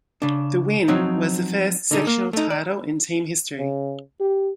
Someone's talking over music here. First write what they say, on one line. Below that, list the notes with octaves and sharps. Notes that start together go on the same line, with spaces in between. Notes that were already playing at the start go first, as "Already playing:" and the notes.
The win was the first sectional title in team history.
C#3 D4
F3 F#3 C4 D#4 C#5
D3 D#4 G#4
A#3
A3 D#4
D5
C#3
G4